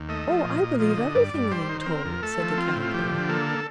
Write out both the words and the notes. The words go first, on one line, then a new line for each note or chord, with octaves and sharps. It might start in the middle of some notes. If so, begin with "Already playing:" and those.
"Oh, I believe everything I am told," said the Caterpillar.
Already playing: D#2
A3 D#5
F3
A#2
A#2
F3 D#5
D3
G2 D5
G2
G3 C5
D#3
C5
C4 A#4
F2
A3 A4
F3
C4 F4
A2
F4
F3 G4
D3
A#3 A4